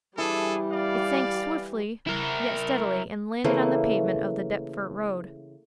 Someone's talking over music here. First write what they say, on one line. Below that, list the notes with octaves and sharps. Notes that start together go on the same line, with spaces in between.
It sank swiftly, yet steadily, and landed on the pavement of the Deptford Road.
E3 G3 D4 G#4 A4
D5 F5
E4 A#4
C#3 E3 A3 A#3